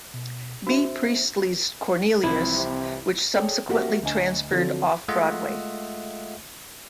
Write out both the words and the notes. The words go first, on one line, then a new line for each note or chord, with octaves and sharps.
B. Priestley's "Cornelius" which subsequently transferred Off-Broadway.
B2
C4 D4 F#4 C5 E5
C2 E3 F3 C4 E4
C3
G#4 A4 C#5 D5 G5
A#3 F#4 G4 A#4 E5
D2 D#5 G#5 E7
D3 F3 F#3 C4
G#3 A3 F4 D#5 E5 F#5